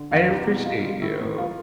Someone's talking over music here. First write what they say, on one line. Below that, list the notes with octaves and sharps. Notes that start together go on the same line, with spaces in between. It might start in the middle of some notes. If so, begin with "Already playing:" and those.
I appreciate you.
Already playing: D3
F1 F5
C2 G4
B2
G3 F4
G3
A2 E4
A2
F4